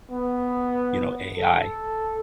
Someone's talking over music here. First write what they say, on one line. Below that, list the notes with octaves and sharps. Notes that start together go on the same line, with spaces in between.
you know, AI
B3
A4